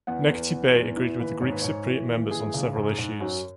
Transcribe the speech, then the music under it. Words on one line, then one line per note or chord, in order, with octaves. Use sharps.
Necati Bey agreed with the Greek Cypriot members on several issues.
E2 F#5
E2
E2
E2
E3
D#2 B4
G#2 C#5
B4
G#2 C#5
E3
D#2
E3 G#4
C#2
G#2
G#2
F#2 F#4